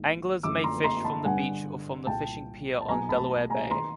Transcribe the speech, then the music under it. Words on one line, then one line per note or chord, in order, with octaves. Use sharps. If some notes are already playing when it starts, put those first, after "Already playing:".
Anglers may fish from the beach or from the fishing pier on Delaware Bay.
Already playing: A#1 G#2 D#3 G#3 B3
F#2 D3 F3 A3 D6 E6
A#5 C6
A#5 C6
A5 B5
G1 G2 D3 G3 B3 F#5 G#5
C2 A#2 G3 G5 A5
A5
B1 B2 F#3 B3 G#5 A#5
A5 B5
G#5 A#5
D#3 A#5 C6